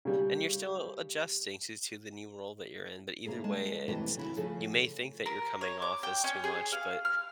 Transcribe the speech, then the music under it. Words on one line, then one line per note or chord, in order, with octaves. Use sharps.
and you're still adjusting to to the new role that you're in, but either way, it's you may think that you're coming off as too much, but
C#3 G3
C#3 A#3 E4 G#4 A4
G#3 A5
D#2 C3 E3 F#3 A3 A5
C#3 E4 F#4
C#3 F3 A3 G#4 A4
A#4
C#5
D6
G5
C#4
G#4
F5
F6